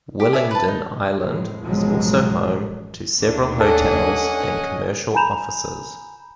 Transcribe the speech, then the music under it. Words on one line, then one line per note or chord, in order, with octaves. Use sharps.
Willingdon Island is also home to several hotels and commercial offices.
G4
C#5 D5 E5 G#5
B4 A5
D#4
F2 A2 G#3
A1 F#2 B2 F3 F#3 G#3
D#2 A3 D4
C#4 A4 D#5 F#5 G#5
G#5 A#5 B5 G6 E7 F7